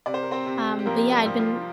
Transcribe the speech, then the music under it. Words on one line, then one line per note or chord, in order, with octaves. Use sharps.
Um, but yeah, I've been
C3 D5
C5
A#4
C4 C5
C3
G4
F3 A#3 A#4
G3 G4
F3
F4